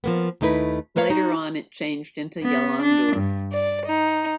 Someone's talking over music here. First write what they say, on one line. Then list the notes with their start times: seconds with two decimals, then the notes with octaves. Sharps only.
Later on it changed into Yalandur.
0.04 F3 A#3 B3
0.41 D#2 A3 D#4 E4 B4
0.96 A3 A#3 B4 C#5 F5
1.10 D#4 F#4
2.41 B3
2.80 D4
3.16 G2
3.51 D5
3.86 D#4